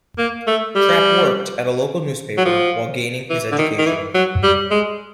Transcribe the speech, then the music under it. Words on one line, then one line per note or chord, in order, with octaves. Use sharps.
Trapp worked at a local newspaper while gaining his education.
A#3
A3
G3
F#3
F3
E3
D3
D#3
D#3
E3
F#3
G3
G#3